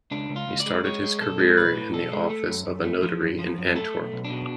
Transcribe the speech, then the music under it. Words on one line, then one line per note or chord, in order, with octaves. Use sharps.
He started his career in the office of a notary in Antwerp.
C#2 D4
C#2
F4
C#2
D5
G#3
G#3 C#5
G#3
B1 A4
G#3
B1 B4
A2
B1 A4
G#3
A3
F#2
F#2
A3
F3
F#2
F3
F#2
A3 A4
B1
B1
D4
B2